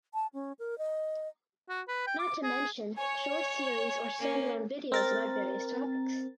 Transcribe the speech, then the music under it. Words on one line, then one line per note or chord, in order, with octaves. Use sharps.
Not to mention short series or standalone videos about various topics.
A5
C#4
A#4
D#5
F#4
B4
G5
D6
G#4
C#5 G#5
A#3 C#4
C4 A#4 A6